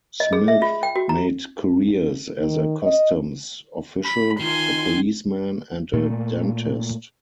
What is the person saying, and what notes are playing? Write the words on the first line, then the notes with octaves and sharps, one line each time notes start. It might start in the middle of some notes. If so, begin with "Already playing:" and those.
Smith made careers as a customs official, a policeman and a dentist.
D#5
G#4
E5
F4
G5
F#4
A#5
D#3
D#5
B5
D#3 F4 G#5 C6
A#2 A3